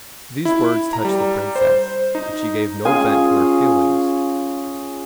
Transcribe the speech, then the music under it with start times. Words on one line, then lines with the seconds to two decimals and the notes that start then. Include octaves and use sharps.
These words touched the Princess, but she gave no vent to her feelings.
0.45 E4
0.93 A#5
1.05 G3
1.56 C5
2.15 D#4
2.85 C#4 F4 G#4 G#5